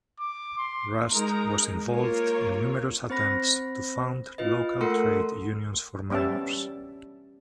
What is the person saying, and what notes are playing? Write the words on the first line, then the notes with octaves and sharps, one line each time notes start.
Rust was involved in numerous attempts to found local trade unions for miners.
D6
C6
G#3 D#4 A#4 A#5
A#3 F4 A#4 C#5
C4 C5 B5 A#6
F4 B4 D#5
A3 A4 A#4 F#5 C6 C#7
G3 B3 C#4 E5 A5